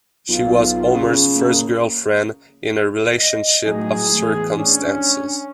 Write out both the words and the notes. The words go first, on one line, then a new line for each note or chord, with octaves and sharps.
She was Homer's first girlfriend in a relationship of circumstances.
B1 F4
C#3
A#3
D#5
A2 F#3 D#4 G#4
E2 A2
C#4 D4